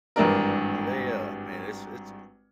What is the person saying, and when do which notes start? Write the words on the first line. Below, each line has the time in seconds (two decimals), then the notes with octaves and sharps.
they, uh, man, it's it's
0.16 G#1 G2 E3 D4 A#4